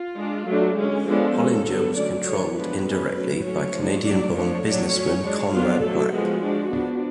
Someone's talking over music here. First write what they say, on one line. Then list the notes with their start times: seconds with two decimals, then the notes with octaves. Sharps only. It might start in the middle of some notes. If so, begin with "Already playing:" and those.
Hollinger was controlled, indirectly, by Canadian-born businessman Conrad Black.
Already playing: F4
0.17 G#3 D4
0.46 F#3 A3 D4
0.76 D3 G#3 C#4
1.06 F3 G#3 B3 D4 A4
1.36 G#3 C#4
1.65 D3 F#3 B3
1.95 D3 F#3 A3 C#4 D5
2.25 D3 G#3 D4 C#5
2.54 F3 G#3 B3 D4 B4
2.84 D3 G#3 C#4
3.14 F#3 A3 C#4
3.44 F#3 A3 C#4 C#5
3.74 F3 G#3 D4
4.03 F#3 A3 D4 D5
4.33 F3 A3 D4 C#5
4.63 F#3 A3 D4
4.93 F#3 C#4
5.22 G#3 D4
5.52 F#3 B3 D4 F4
5.82 D3 F#3 A3 A4
6.12 F3 G#3 B3 F#4
6.42 F3 G#3 D4
6.71 F3 B3 D4